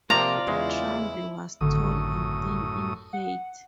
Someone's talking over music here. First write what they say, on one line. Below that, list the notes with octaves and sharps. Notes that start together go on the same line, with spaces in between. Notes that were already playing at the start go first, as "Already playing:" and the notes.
Trumble was tall and thin, in height.
C3 F3 A#3 C4 F4 D5 A#5
E2 C#3 G#3 E4
G#1 F#2 A2 D3 D#6
F#5